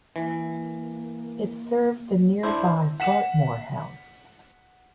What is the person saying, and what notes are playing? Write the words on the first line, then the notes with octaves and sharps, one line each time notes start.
It served the nearby Gartmore House.
E3 A#3
D4 E4 C5
F#5 B6 E7